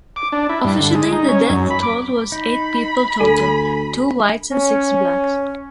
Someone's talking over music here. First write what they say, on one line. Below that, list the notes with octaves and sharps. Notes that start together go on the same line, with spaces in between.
Officially the death toll was eight people total, two whites and six blacks.
D6
D4
E4
G2
D3
G#3
D#4
C#4
F#2
B5
D6
D#4 B5
D2 A4 G#5
C#4